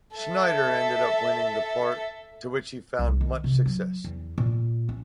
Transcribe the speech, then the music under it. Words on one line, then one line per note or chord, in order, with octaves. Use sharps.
Schneider ended up winning the part, to which he found much success.
A4 E5
C2
D#3
C3
F#3
E2
A#2
C#4